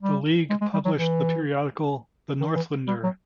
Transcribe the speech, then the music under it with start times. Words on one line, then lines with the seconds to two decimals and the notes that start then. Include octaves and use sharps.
The League published the periodical "The Northlander".
0.02 G3
0.50 G#3
0.61 G#3
0.73 G3
0.85 F#3
0.97 E3
2.40 D#3
2.56 E3
2.88 G3
3.03 F#3